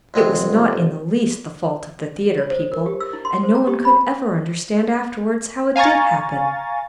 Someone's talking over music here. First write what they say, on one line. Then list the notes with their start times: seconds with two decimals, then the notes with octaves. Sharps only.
It was not in the least the fault of the theatre people, and no one could ever understand afterwards how it did happen.
0.14 F1 D2 G#3 C4
2.38 C#5
2.51 C5
2.72 A#4
2.86 G4
3.00 E6
3.13 E4
3.25 C6
3.43 C5
3.55 A#5
3.67 G4
3.85 B5
5.76 F5 G#5 A#5 C#6 A6